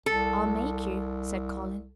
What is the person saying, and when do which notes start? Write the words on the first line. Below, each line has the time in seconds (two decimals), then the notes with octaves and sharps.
"I'll make you," said Colin.
0.06 C2 A4